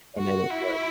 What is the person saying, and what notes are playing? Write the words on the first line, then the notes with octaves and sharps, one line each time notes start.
and then it was
F#4
E4